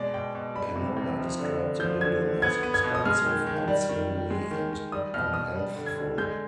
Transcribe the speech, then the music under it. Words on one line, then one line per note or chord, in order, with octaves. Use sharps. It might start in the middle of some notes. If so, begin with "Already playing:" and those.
Pennoyer described the building as expensive, unseemly and unhealthful.
Already playing: B2 G#3 D5
B2 G5
B2
G3 B5
C3
C3
F3
D3
D3
F3 G6
D3 G#6
D3
B3 G#6
B3
G#6
B2
D#6
G#3 F6
D#3
D#3
G3
D#3
D#3
G#3
D#3
D#3
G3 D#6
B2 F6
B2 D#6
G3
D3
G#6
D3
G#3 G6